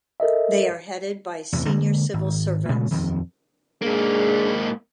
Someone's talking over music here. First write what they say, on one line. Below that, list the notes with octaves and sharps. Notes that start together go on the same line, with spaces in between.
They are headed by senior civil servants.
A4 A#4 D#5 E5
A1 E2 C3
D3 G#3 A#3
G#1
A#2 C#3 G#3 A3
D#1 F2 D#3
G#2 A#3 D4 G#4